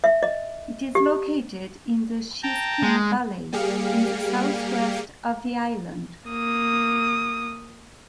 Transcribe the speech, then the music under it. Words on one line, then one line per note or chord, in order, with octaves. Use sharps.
It is located in the Shiskine valley in the south-west of the island.
E5
D#5
G4
G5 A5 A#5
G#3
G3 A#3 G4 G#4 F5 C#7
A#3 D#6